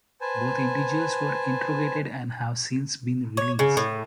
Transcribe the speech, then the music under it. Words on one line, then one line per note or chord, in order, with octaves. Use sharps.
Both individuals were interrogated and have since been released.
B4 C5 G#5 A5
C#5
C#3
A2